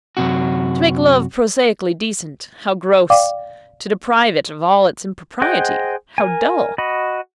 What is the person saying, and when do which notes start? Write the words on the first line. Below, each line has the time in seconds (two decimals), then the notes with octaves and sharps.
To make Love prosaically decent, how gross! to deprive it of all impropriety, how dull!
0.17 F#2 C3 F#4
3.10 D5 F5 G5 D6
5.42 G#4 C5 D#5 F#5 G5
6.18 A#4 G#5
6.78 F#4 D#5 B5